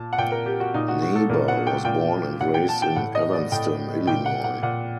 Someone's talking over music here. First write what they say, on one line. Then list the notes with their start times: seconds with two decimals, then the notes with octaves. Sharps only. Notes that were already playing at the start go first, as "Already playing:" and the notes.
Naber was born and raised in Evanston, Illinois.
Already playing: A#2 A5
0.13 F#5
0.18 A#2 G5
0.32 A#4
0.46 G4
0.60 F#4
0.74 A#2 D#4
0.88 F#4
1.02 F#4
1.16 A4
1.29 A#2 A#4
1.48 F#5
1.67 G5
1.85 A#2 G5
2.41 A#2 F#5
2.54 G5
2.69 A5
2.82 G5
2.96 A2 F#5
3.15 D#5
3.33 D5
3.52 A2 G5
4.07 A#2 G5
4.26 F#5
4.44 F#5
4.63 A#2 F#5